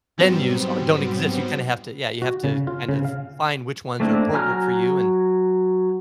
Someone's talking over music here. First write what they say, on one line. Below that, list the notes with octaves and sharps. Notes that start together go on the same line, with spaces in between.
venues are don't exist, you kinda have to Yeah, you have to kind of f find which ones are appropriate for you and,
G#2 F#3 G3 B3 C4
F#4
C#3
F4
C#3
F5
A3 A#3 C4 D4 E4
F#3 G#5 A#5 F6 F#6